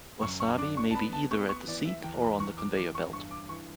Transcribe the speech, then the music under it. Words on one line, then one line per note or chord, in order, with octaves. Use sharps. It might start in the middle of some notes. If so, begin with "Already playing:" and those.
Wasabi may be either at the seat or on the conveyor belt.
F#2 C#6
C#6
D4 D6
C#6
A5
B3 B5
A5
B3 C#6
C#6
E3 D5
E5
E2 G5
B5
E2 C#6
D6
E2 D6
C#6
G2 C#6
D6
E3 C#6